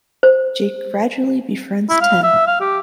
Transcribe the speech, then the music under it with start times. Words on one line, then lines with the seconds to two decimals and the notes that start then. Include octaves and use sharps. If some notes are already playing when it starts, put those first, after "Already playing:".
Jake gradually befriends Tim.
0.23 C5
1.90 E4
2.01 F5
2.23 E5
2.47 F5
2.61 G4